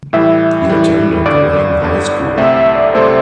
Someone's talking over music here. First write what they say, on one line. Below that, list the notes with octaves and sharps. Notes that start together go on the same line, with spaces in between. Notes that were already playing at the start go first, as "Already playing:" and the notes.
He attended Wayne High School.
A2 E3 G3 E5
A2 E3 G3
G1 G2 D3 D5
G1 G2 D3
C2 C3 A3 C4 A4 E5
E5
D5
C2 C3 A3 C4 A4 C5